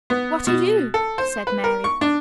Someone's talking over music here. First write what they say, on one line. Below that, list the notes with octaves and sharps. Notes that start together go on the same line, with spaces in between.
"What are you?" said Mary.
B3
B2
A4
C5
B4
A#4
C#6
D4